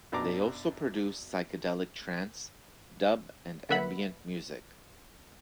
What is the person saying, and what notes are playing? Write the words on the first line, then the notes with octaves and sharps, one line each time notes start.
They also produce psychedelic trance, dub and ambient music.
F#2 B2 D4 A#5 D6
D3 A#3 B4 E5 F#5 B5